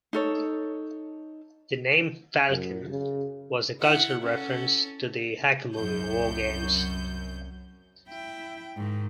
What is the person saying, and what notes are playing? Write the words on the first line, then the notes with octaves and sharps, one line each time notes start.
The name Falken was a cultural reference to the hacker movie WarGames.
D#4 A4 C#5
F#2
C#3
E4 F#5
C#4 A4
C2 F#2 G6
E4 G5
G#2 D#3